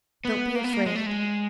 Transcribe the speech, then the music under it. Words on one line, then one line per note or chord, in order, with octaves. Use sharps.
'Don't be afraid.
B3
A#3
B3
A#3
G#3
A3
G#3